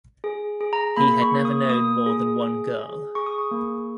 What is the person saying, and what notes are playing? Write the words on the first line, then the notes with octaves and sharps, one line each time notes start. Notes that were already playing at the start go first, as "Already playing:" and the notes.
He had never known more than one girl.
G#4
G#4
A#5
A#3 B5
C#6
A#3
D#6
A#3 D#6
G#4
G#4
G#4
G#4 C#6
D#6
C#6
A#3